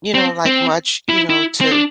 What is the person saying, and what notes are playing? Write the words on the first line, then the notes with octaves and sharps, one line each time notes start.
you know, like much, you know, to
C4
C4
E4
E4
C4
D4